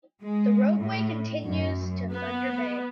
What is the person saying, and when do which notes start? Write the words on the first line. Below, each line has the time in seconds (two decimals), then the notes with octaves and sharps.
The roadway continues to Thunder Bay.
0.22 G#3
0.80 A2
1.44 F#2
2.11 B3